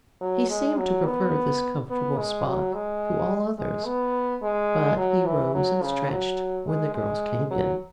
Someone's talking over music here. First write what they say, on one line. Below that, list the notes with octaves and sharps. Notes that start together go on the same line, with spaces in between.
He seemed to prefer this comfortable spot to all others, but he rose and stretched when the girls came in.
F#3
G#3
F#3
B3
B3
G#3
F#3
G#3
G#3
B3
G#3
F#3
E3
F#3
C#3
F#3
G#3
G#3
F#3